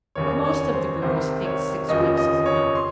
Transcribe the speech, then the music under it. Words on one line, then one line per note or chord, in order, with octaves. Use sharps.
"But most of the girls think six weeks is enough."
F1 D#2 C#3 C#5
C#5
C5
C2 C3 D#3 C5
C#5
F1 D#2 C#3 F3 D#5
D#5
C#5
C6